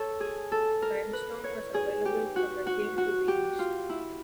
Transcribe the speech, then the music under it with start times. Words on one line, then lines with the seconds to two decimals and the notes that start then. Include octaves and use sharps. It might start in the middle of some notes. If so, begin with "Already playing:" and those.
Limestone was available from a hill to the east.
Already playing: A4 C#5
0.20 G#4
0.52 A4
0.82 A#4
1.13 B4
1.44 C#5
1.74 G#4
2.05 G4
2.36 F#4
2.66 F#4
2.98 F#4
3.28 G4
3.59 F4
3.89 E4